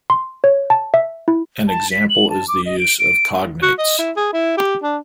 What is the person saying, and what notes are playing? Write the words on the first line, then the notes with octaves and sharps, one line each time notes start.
An example is the use of cognates.
C6
C#5
A5
E5
E4
A5
B6
F#7
A5
D6
D#5
D7
D7
F#4
D#5
E4
G#4
E4
G4
D4